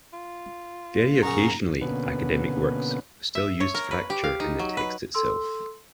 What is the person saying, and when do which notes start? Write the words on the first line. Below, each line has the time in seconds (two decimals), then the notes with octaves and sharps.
Very occasionally, academic works still used Fraktur in the text itself.
0.13 F4
1.23 F#2 C#3 C#4 A#5 C#6
1.81 B2 D3 A#3 B3 C#4 B4
3.35 E5
3.60 C#5
3.74 A#4
3.91 B4
4.10 G4
4.24 F5
4.40 D#4
4.59 F#3
4.77 B4
5.14 A4 C6 E6